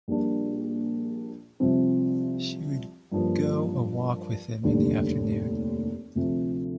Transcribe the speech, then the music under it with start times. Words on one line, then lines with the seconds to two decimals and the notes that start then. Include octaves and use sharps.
She would go a walk with him in the afternoon.
0.08 A#1 A#2 G3 A#3 D4
1.60 C2 C3 F3 C4
3.12 G2 F3 A#3
4.63 F1 D#2 D3 G3 D4
6.15 D2 C3 F3